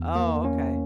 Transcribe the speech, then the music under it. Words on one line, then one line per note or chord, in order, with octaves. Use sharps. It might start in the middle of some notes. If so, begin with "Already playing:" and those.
Oh, okay.
Already playing: E2
A#3
C#4